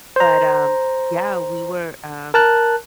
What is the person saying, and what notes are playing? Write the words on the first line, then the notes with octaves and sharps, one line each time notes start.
But, um, yeah, we were um,
C5 A#5
A#4 A5 F#6